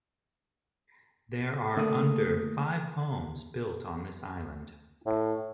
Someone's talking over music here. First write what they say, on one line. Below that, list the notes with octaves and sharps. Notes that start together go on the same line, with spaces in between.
There are under five homes built on this island.
D3 A3 A#3 D#6
A2